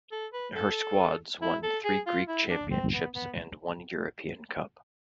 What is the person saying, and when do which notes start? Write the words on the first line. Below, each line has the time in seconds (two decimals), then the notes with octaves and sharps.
Her squads won three Greek Championships and one European Cup.
0.12 A4
0.33 B4
0.55 A4
1.42 E4
1.63 A4
1.85 G#4
2.07 F4
2.28 E4
2.50 D4
2.71 C4
2.93 B3
3.15 B3